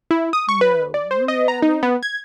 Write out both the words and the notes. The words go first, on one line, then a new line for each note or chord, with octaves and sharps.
'No, really?
E4
D#6
C#6
B4
D5
C5
D#5
A#5
D#4
B3
G#6